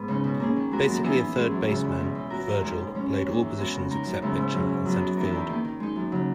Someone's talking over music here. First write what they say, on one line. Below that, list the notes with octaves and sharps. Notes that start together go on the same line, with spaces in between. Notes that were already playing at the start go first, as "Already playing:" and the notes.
Basically a third baseman, Virgil played all positions except pitcher and center field.
Already playing: G#2 B3
C#3 G#3 D#4
B2
A#3 C#4 G#4
D#3
G#3 B3 F#4 A#4
F#2
E3 B3 D#4 G#4
E3
G#3 C#4 G#4
F#2
C#3 G#3 B3 E4
E2
B2 G#3 C#4
E3
B3 F#4 A#4
E2
B2 G#3 D#4
D#2
D#3 G#3 C#4
D#2
D#3 A#3 C#4
E3
G#3 B3 F#4 A#4
C#3
G#3 D#4 A#4
F#2
C#3 G#3 B3 E4
G#2
F#3 C#4 G#4
G#2
F#3 B3
F#2
E3 B3 D#4 A#4
E2
D#3 A#3 D#4
D#3
G#3 D#4
F#2
C#3 F#3